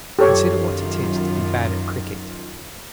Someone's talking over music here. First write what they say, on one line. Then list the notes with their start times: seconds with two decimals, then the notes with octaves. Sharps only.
Consider what it is to be bad at cricket.
0.19 F#2 D#3 F4 G4 A4 C#5